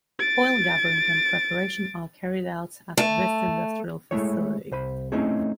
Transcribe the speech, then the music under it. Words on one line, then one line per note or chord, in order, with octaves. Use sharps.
Oil gathering and preparation are carried out at this industrial facility.
A6 D7
A3
G#3 A3 E4 C#5
C2 C5 B5
A3 C4 C#4 D#4 E4 G#4